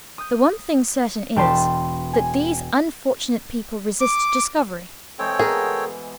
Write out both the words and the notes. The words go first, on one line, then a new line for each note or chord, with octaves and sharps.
The one thing certain is, that these unfortunate people resist discovery.
D#6 G6
E1 G5 A5 C6 B6
G#5
D6
E3 G#3 C4 A4 C#5 G5
B2 G#4 A#4